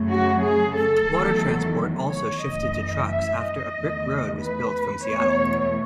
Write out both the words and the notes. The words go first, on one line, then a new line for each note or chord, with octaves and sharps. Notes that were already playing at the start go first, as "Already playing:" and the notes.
Water transport also shifted to trucks after a brick road was built from Seattle.
Already playing: F#2 C#3 F#3 A3
F#4
G#4
A4
E2 D#3 F#3 A3
C#5
F#2 E3 A3 D#5
E5
D#5
E2 D#3 A3
B4
E2 B2 A3 C#5